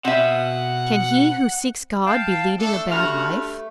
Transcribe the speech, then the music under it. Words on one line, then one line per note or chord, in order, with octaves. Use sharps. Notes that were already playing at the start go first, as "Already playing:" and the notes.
"Can he who seeks God be leading a bad life?"
B2 C4 E5 F#5
F5 G5 A5
A3 D4 A4
G2 F#4 F6